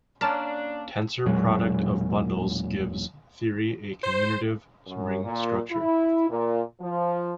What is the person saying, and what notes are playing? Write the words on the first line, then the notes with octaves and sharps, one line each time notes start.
Tensor product of bundles gives -theory a commutative ring structure.
A#3 C#4 D4 A5
E1 A#2 F#3 G#3
C5
F#2
A#2
E4
A#2
F3